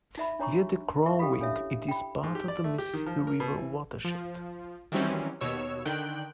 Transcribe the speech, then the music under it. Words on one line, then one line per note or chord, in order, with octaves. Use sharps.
Via the Crow Wing, it is part of the Mississippi River watershed.
D#4 E5 B5
D4 C#5 A#5 C6 C#6
E4 E5 C#6
C#4 G4 A4 F5 B5
D4 A4 C#5 E5
G5 B5
G#2
G4
D5
A3
G4
D#3
F3
A#4
B2
E3
F3
D#3 E3 F#3 G3 C4 C#4
D#2 B2 C#5 E6
D3 D#3 G5 F#6